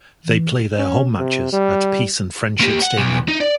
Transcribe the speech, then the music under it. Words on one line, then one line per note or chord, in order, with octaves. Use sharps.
They play their home matches at Peace and Friendship Stadium.
E3
C#4
C3
G3
A#3 G4
F#5
B1
D#4
D5